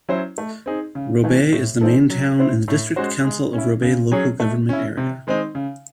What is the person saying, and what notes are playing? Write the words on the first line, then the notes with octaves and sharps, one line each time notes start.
Robe is the main town in the District Council of Robe local government area.
F#3 C#4 E4 C5
A3
C4 D#4 G#4
C#3
E3 A3
A2
E3 C4 D#4 A4
F#3
C4 E4 C5
A2
G#3 C#4 F#4 C5
G#3
C#4 E4
C#3
F#3 C#4 G#4 C#5
A3
C#4 E4
C3
D#3 G#3 C4 D#4
C#3